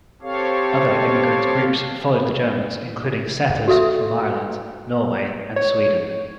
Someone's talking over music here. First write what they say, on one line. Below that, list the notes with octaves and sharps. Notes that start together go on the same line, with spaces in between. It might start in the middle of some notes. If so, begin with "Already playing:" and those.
Other immigrant groups followed the Germans including setters from Ireland, Norway and Sweden.
C4 G4 A4 C#5 F5
F#4 A4 E5
C#5